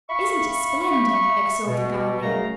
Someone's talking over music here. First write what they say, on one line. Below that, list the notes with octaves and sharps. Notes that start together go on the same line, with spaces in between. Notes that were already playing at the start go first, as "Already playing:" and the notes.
"Isn't it splendid!" exulted Arline.
E5 F5 B5 C#6
B2
F#2 C#3 A3 A#4 F5 A#5